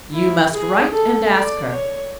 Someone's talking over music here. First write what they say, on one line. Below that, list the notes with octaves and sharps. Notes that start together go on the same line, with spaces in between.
"You must write and ask her."
E4
G#4
A4
D5
C#5